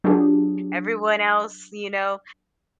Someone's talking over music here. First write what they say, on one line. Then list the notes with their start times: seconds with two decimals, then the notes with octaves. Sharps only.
everyone else, you know,
0.04 F#3 D4 F4 G4 G#4